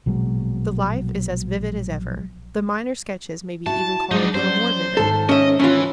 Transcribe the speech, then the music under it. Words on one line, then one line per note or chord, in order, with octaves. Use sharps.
The life is as vivid as ever; the minor sketches may be even called a little more vivid.
A#1 B2 F#3 G#3
E4 F#4 A5
F#3 G#3 D4 D#4
F#3 C#4 C5 D5
G#2 D#3 A4 A5
C#4 D#5 E5
E3 C#4 F4